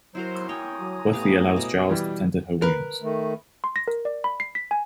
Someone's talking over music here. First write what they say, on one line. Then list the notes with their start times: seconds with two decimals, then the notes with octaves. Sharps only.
Buffy allows Giles to tend her wounds.
0.15 F#3 E4 F#4 A#4 C5
0.49 C#5 G5 G#5 A#5 D#6
0.79 F#3
1.13 A2 B3 G4 F5
1.56 B2 D6
1.89 F2 E3 G3
2.62 A#4 B4
3.02 D#3 A3
3.64 C6
3.76 A#6
3.88 A#4
4.05 D5
4.24 B5
4.40 C7
4.55 B6
4.71 G#5